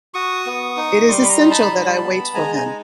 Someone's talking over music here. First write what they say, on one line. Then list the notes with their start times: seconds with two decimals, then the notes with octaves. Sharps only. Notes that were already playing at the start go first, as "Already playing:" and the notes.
It is essential that I wait for him.
0.14 F#4 C#6 D#6
0.46 B3
0.77 D#4
1.08 G3 C6 D6
1.22 B5
1.29 A#5 C6
1.41 D#4
1.51 A5 B5
1.72 G3
2.03 B3
2.34 G#3 G#5 A#5
2.55 G#5 A#5
2.65 D#4